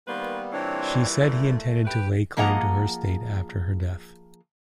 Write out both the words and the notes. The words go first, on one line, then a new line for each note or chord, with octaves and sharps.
She said he intended to lay claim to her estate after her death.
D#3 G3 A#3 B3 B4 C5
A#2 E3 G3 C4 D4 C#5
A3
G4 B4
F3 A#3 G#4 D#5 F#5 A#5